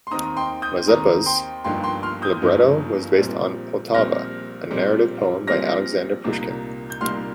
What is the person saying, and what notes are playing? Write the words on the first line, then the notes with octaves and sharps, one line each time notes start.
"Mazeppa"'s libretto was based on "Poltava", a narrative poem by Alexander Pushkin.
C6
D#2 D#3 C4 D#4 A#5 D#6
G5 C6
D#6 G6
D#2 D#3 C4 D#4 A#5 D#6
G5 C6
G1 G2 F3 A#3 D#4 G5 C6
G5 C6
C6 F6
D#6 G6
G1 G2 F3 A#3 D#4
A#1 A#2 G3 C4
A#1 A#2 G3 C4 F6 A#6
A#1 A#2 G3 C4
A#1 A#2 G3 C4 F6 A#6
C2 A#2 G3 A#3 D#4
G6
C2 A#2 G3 A#3 D#4 C6 F6